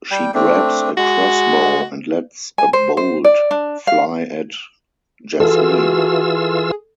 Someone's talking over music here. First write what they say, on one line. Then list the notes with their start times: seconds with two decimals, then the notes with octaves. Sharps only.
She grabs a crossbow and lets a bolt fly at Jasmine.
0.11 G3 G5
0.34 A3 C4 D4
0.98 G#3 F#4
2.58 G#5
2.73 C5
2.97 C5
3.24 D5
3.51 D4
3.87 F5
5.40 E3 F4 F#4 G#4 A4 E6